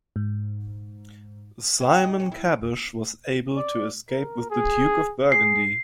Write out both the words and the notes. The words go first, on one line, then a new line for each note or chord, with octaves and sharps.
Simon Caboche was able to escape with the Duke of Burgundy.
G#2
C4
D#4
C#4
E4
D5
A#4
G#4
G#4 C7